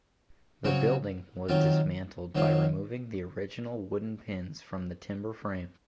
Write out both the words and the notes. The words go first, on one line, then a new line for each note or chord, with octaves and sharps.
The building was dismantled by removing the original wooden pins from the timber frame.
C#3 F#3 C4 F#4 C#5
D#3 F#3 C4 F4
D#3 F#3 C4 F4